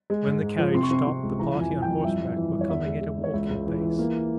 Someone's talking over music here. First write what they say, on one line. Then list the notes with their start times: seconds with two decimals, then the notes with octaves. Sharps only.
When the carriage stopped, the party on horseback were coming at a walking pace.
0.10 G#3
0.26 G#2
0.42 G#2
0.58 F3
0.75 C3 C6
0.83 C#6
0.91 C3 C6
1.07 C3
1.23 C#2
1.39 E3 A#5
1.55 F2
1.60 G#5
1.71 E3
1.82 G5
1.88 F2
2.04 G2 E5
2.20 G2
2.36 E3
2.53 G2
2.61 C#5
2.69 E2 E5
2.85 G#3
3.01 G#3
3.18 E2
3.24 C#5
3.33 C#2 E5
3.50 C#2
3.67 E3
3.82 E3
3.99 A#3